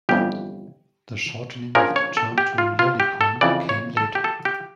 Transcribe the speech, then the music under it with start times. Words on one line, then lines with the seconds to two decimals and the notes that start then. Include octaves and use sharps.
The shortening of the term to "lolicon" came later.
0.09 G1 F2 E3 G4
1.75 A#1 A#2 F3 C#4 A#4
1.96 C#5
2.17 A4
2.38 G4
2.58 F4
2.79 F4
3.00 G4
3.21 A4
3.41 F2 C#3 E3 D5
3.69 C#5
3.97 A4
4.15 G4
4.24 A4
4.45 G4